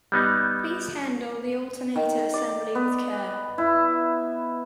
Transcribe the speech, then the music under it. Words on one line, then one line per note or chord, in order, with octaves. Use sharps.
Please handle the alternator assembly with care.
G3 B3 D#4
D#3
D5
B3
E4